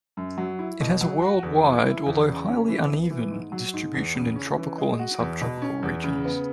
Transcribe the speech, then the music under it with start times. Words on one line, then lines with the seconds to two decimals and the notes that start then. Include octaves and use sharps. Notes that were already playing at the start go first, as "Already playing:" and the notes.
It has a worldwide, although highly uneven, distribution in tropical and subtropical regions.
0.17 F#2
0.38 F#3
0.59 E4
0.81 B2
1.01 F#3
1.22 F#4
1.43 E2
1.64 E3
1.85 E4
2.06 E2
2.27 C#3
2.47 C#4
2.69 E3
2.90 B3
3.11 E3
3.31 G#2
3.52 F#3
3.73 G#2
3.94 E2
4.15 C#3
4.36 C#4
4.58 E3
4.78 G#3
4.99 F#4
5.20 E2
5.41 B2
5.62 C#4
5.83 E2
6.04 C#3
6.25 B3